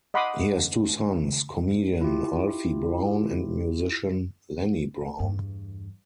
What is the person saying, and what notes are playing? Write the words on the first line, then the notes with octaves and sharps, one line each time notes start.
He has two sons, comedian Alfie Brown and musician Lenny Brown.
D#5 F#5 B5 C6 D6 D#6
E4 F4 G4
E2 G2